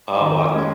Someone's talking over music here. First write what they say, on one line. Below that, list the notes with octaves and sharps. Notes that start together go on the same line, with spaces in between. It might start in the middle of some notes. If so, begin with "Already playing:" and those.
Oh, what
D#3
G#3 C#4